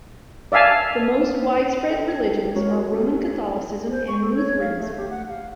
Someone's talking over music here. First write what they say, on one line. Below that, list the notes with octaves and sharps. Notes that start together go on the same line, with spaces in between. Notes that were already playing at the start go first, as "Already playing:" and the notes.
The most widespread religions are Roman Catholicism and Lutheranism.
D5 E5 F5 G#5 A5
D4 A4 G5
G#3 C#4 F#4 A#4 C#5
C#4 G4 A4
C5
C#6
A4
C#5
F5
A3
G4
F#5
F5